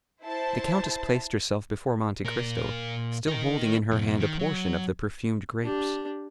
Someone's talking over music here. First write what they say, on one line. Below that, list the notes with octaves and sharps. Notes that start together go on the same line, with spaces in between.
The countess placed herself before Monte Cristo, still holding in her hand a portion of the perfumed grapes.
E4 C5 A5
A#2 A#4
D#4 A#4
F2 B2
D#3
F#3
D4 G4